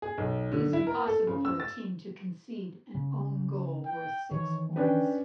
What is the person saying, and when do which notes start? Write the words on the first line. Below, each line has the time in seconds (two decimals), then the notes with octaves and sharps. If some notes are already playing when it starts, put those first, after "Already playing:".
It is impossible for a team to concede an own goal worth six points.
0.02 G#4
0.18 B1
0.52 D3
0.73 E4
0.87 A#4
1.07 A4
1.27 C#3
1.45 E6
1.60 A6
2.95 C#3
3.85 G5
4.31 D#3 E3 C#5
4.76 C#4 D4 B4 G5